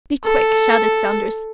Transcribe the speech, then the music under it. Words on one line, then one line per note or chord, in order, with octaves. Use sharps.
"Be quick!" shouted Saunders.
A4